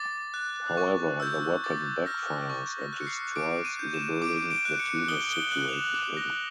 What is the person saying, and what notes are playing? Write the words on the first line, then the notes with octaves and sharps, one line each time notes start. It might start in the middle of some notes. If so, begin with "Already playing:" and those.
However, the weapon backfires and destroys the building the team is situated in.
Already playing: D6 A6
F#6
C#6
E6 G6
D6 A6
F6 A#6
C#6 A6
A#6
F#6
C#7
C7
D6 D7
D#7
G6
E7
D6 D7
D7
F#6
C#7
D#6 G7
G7
G7
F#6 F#7
F7
E7
D6 E7
A#6